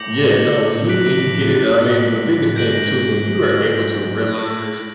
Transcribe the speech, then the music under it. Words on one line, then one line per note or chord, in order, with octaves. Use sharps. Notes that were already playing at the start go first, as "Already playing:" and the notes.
Yeah, no, and you and you get it, and I mean, the biggest thing too, when you are able to realize
Already playing: A2 D6 G6 A#6 C#7 F#7
F#6 B6 D7 F#7
G#2 G6 A#6 D7 F#7